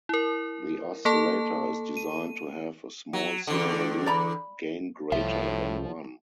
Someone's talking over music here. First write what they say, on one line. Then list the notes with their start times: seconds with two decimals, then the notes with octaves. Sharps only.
The oscillator is designed to have a small-signal loop gain greater than one.
0.09 E4 A#4
1.05 A#3 A4 A5
1.97 D#7
3.13 F#3
3.47 E2 D3
4.06 D5 A#5 B5
5.12 C2 A2 F3 F4 E5